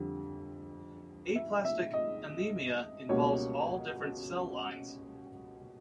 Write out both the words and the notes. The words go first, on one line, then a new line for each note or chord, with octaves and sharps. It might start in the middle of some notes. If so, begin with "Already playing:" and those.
Aplastic anemia involves all different cell lines.
Already playing: F2 D3 G3
E5
E5
D#5
C#2 B2 G3 A#3 C#5